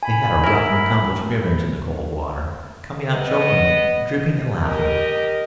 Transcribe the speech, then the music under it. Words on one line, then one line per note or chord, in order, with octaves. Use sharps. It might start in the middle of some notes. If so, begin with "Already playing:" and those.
They had a rough and tumble scrimmage in the cold water, coming out choking, dripping and laughing.
G#5 B5
E4 A#4
B3 D#5
G4 A#4 D#5